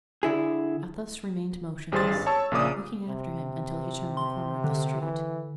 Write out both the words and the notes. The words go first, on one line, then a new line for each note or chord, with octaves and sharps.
Athos remained motionless, looking after him until he turned the corner of the street.
D3 E4 G#4
A1 G3 G#4 C5 C6 A6
G#1 G2
C#5 A5 C#6 E6
A#1 A#2 C#3 D5 D6 D#6
C3
C6
D3
E3